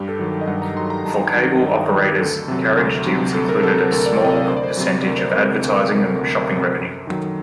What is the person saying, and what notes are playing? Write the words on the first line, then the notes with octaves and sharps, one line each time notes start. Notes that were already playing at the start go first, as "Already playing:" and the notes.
For cable operators, carriage deals included a small percentage of advertising and shopping revenue.
Already playing: G2 G4
A4
D#3 F#3
A4
D#5
G2 F#5
A#5
D#3 F#3 C6
A#5
G2 A5
D#3 F#3 F#5
F#5
G2 D#5
D5
D#3 F#3
G4
D2 A4
C3 F#3
D2
C3 F#3
D2 A4
A#4
C3 F#3 A4
A4
D2 A4
D5
C3 F#3 D#5
D5
D2 C5
D5
C5
C3 F#3
D2 A#4
C5
C3 F#3 A#4
D2 A#4
C5
C3 F#3 A#4
A4
D2
C3 F#3
F#2
D#3 F#3